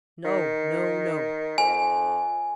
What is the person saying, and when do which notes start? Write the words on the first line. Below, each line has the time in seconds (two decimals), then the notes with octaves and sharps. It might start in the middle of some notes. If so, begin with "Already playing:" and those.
"No, no, no!"
0.25 D#3
1.58 F2 G#5